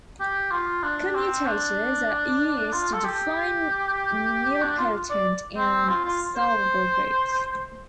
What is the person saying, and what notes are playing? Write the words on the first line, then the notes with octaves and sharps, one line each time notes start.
Commutators are used to define nilpotent and solvable groups.
G4
F4
D4
C4
D4
F4
A4
G4
D4
F4
D5
C4
F4
F4
C5